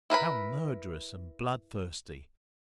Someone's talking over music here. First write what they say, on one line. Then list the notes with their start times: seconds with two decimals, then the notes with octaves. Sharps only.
"How murderous and bloodthirsty!"
0.10 E4 A#4 B4 B5